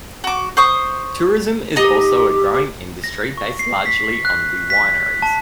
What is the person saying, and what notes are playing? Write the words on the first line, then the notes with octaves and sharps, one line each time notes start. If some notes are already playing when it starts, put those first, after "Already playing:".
Tourism is also a growing industry based largely on the wineries.
F#4 D6
C5 C#6 D#6
D#4 G4 D#5
A#6
C#6
C7
B6
F#6
B6
A5